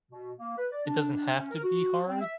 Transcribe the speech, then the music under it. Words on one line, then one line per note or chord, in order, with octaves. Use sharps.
It doesn't have to be hard
B2
A#3
B4
D5
D4
C#4
A#4
F#4
C4
E5